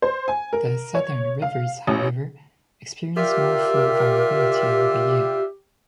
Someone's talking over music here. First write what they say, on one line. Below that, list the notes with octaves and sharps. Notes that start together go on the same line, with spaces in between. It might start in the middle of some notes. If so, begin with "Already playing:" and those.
The southern rivers, however experience more flow variability over the year.
C5
G#5
A#4
C#5
F5
A1
F4 G4 A#4 D5 E5